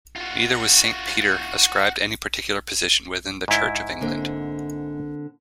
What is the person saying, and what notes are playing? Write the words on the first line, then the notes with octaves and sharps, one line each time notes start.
Neither was Saint Peter ascribed any particular position within the Church of England.
F4 F#4
G#2 E4
D3 A#3 C4